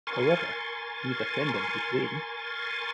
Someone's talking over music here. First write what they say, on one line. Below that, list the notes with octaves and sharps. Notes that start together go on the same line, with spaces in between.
However, he was a friend of Bruce Wayne.
A#4 G#5 C6 C#6 A6